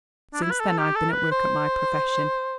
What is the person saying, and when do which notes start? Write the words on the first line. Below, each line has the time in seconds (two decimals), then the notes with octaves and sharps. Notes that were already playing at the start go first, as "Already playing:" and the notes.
Since then I've been at work at my profession.
0.33 D4
0.43 E4
0.51 B4
0.60 A4
0.78 G4
0.96 A4
1.13 B4
1.32 C5